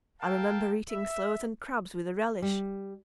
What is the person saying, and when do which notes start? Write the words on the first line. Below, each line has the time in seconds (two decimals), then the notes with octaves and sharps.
I remember eating sloes and crabs with a relish.
0.21 A4 A#4 F5 G5 A5
0.90 E5
2.42 G3